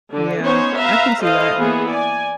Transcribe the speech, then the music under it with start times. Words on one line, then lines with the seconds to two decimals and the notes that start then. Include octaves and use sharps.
Yeah, I can see that.
0.13 D3 D4
0.44 B3 C#4 D#4 C5 C#5
0.76 B4 E5 F5 A#5
1.23 E4 A4 C5 D#5 F5
1.58 E3 A#3 B3 G#4
1.90 D5 G#5